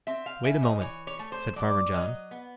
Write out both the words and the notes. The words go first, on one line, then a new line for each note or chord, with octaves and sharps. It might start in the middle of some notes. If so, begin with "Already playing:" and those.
"Wait a moment," said Farmer John.
C4 E5
F5
C#3 E5
D#5
E3 C#5
C#5
A3
C5
F#3 D5
F#3 D#5
B3